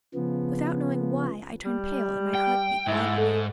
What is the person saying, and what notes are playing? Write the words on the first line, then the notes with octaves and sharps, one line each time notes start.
Without knowing why, I turned pale and my heart beat violently.
C#3 F3 B3
G3
G5
G#2 E4
A3